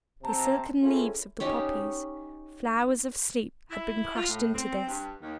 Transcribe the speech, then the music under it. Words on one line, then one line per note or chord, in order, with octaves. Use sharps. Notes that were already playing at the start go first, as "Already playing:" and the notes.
The silken leaves of the poppies--flowers of sleep--had been crushed into this.
C3 C4 A5 A#5
C4 C#4 E4 F4 G#4 A4
C#4 D#4 G4 C#5
E4
F4
A2
C4
G2
D#2